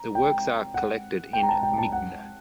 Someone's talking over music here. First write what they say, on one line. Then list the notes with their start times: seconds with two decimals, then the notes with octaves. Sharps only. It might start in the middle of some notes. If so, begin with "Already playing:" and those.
The works are collected in Migne.
Already playing: A#5
0.15 G5
0.74 F#5
1.33 G5
1.43 A#5
1.49 A5
1.63 G5
1.78 A5
1.92 F#5